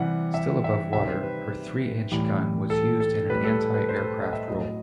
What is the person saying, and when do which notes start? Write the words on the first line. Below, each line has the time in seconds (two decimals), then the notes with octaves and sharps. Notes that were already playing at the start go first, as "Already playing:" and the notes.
Still above water, her three-inch gun was used in an anti-aircraft role.
Already playing: C3 E3 G3 F#5
0.34 E5
0.64 E5
0.93 C3 D#3 G3 E5
1.08 C5
1.23 B4
2.11 A2 E3 G3
2.70 A4
3.00 A4
3.30 A2 G3 B4
3.44 A4
3.59 A4
3.74 B4
3.89 C5
3.96 B4
4.03 A4
4.18 D#5
4.33 E5
4.48 A2 F#3 D#5